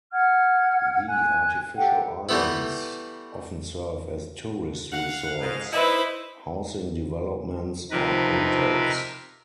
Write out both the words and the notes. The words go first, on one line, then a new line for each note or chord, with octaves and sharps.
The artificial islands often serve as tourist resorts, housing developments, or hotels.
F#5 F6 G#6
G#5 F#6
G4 A4 F#5 G5
E3 G3 A3 B3 E4
F5 F#5
F2 G#2
D#4 E4 B4 C5
C3 F3 D#4 A#4 B4